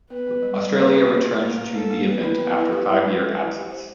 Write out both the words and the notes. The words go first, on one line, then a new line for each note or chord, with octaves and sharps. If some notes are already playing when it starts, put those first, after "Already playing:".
Australia returned to the event after five year absence.
B3 B4
B3
G3
G3
A#3 B4
G#4
A#3
F4
A#3 A#4
A#3
A#3 A4
A#3
B3 B4
E4
B3
E4
G4
E4
G#3
G#3
E4
G4
C5